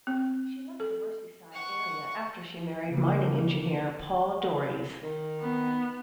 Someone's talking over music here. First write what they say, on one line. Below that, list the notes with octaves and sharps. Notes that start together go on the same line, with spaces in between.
She left the Merseyside area after she married mining engineer Paul Dorries.
C4
A4
F#5 C#6
C#3 A#3
D#3
B3